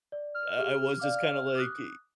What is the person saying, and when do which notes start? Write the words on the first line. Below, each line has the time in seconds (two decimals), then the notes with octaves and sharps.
I I was just kinda like i
0.12 D5
0.35 F6
0.59 G4 G#4
0.99 D5 F5 D6
1.55 D6 D#6 F#6